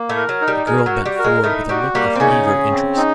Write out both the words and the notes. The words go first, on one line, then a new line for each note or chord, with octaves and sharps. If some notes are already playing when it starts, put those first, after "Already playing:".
The girl bent forward with a look of eager interest.
Already playing: A#3
A2 A3
A#4
F#3
D#4
G3
G#3 A#4
F#3
F#4
G3
A#4
G#3
A2 A3 D#4
G3 F#4
G3 A#3
C4
C#3 C#4 D#4
G#4
C4
D#4